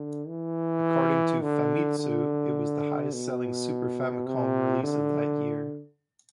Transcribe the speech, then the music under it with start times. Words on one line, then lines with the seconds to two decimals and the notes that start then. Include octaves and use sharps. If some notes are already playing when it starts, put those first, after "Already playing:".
According to "Famitsu", it was the highest-selling Super Famicom release of that year.
Already playing: D3
0.27 E3
1.42 D3
1.99 D3
3.13 B2
4.27 C3
4.84 D3